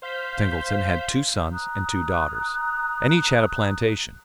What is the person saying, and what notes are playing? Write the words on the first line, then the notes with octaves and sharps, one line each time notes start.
Dick Singleton had two sons and two daughters, and each had a plantation.
C5 F5 G6 B6
A#5 D#6 F#6